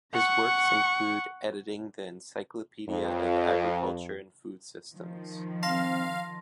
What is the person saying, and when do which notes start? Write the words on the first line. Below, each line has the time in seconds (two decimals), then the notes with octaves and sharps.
His works include editing the "Encyclopedia of Agriculture and Food Systems".
0.14 F#5 C#6
2.89 F2
4.94 D#3 F3
5.63 C4 F5 A5 C6 A#6